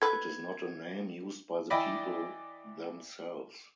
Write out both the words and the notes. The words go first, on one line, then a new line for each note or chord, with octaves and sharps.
It is not a name used by the people themselves.
A4 B4 G#6
E3 E4 D5 D#5 G5 B5